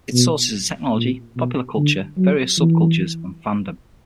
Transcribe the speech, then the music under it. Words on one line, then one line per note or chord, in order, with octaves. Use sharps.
Its sources are technology, popular culture, various sub-cultures, and fandom.
B2
A#2
B2
D3
F#3
E3